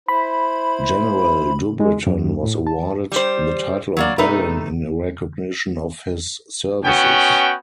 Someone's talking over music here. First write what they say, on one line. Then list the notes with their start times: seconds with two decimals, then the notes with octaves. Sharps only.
General Dubreton was awarded the title of baron in recognition of his services.
0.08 E4 C5 B5
1.80 G#3
2.07 F#2
2.43 A2
2.67 A5
3.12 G3 G4 C5
3.97 F#3 A#3 D5
4.18 C3 A3 D#4 B4 A#5
6.84 B3 C#4 F#4 G5